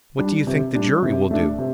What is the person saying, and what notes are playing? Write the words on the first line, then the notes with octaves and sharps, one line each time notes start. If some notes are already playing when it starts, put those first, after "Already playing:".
"What do you think the jury will do?"
G3 D4
C3
G3 D4
C3
A3 D4
C3